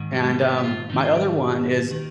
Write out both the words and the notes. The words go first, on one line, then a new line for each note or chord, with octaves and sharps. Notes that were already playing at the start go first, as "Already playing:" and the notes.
and, um, my other one is
Already playing: G#2 D#3
G3
G#3
G3
B3
G4
F4
G#2 D#3 D#4
F4
G4
D#3